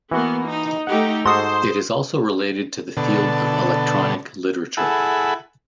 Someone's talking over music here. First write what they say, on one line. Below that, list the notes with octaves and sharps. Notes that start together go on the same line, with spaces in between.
It is also related to the field of electronic literature.
E3 A#3 B3 F#4
D#4
A3 D#4 G4 F#5
G#2 F#4 A4 C5 C6 D#6
B2 D3 A4
E4 G#4 A4 F#5 B5